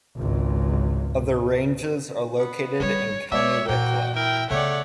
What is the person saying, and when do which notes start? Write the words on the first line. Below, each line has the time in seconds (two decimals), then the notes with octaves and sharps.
Other ranges are located in County Wicklow.
0.16 G#1 C#2
2.39 B3
2.80 D#3 G3 C#5
3.32 G#3 C#5 D5 E5
3.68 A#2 E3 A#3 F#4 G5
4.16 E4 A#4 G5
4.50 C#3 A3 B3 C#5 D5 F#5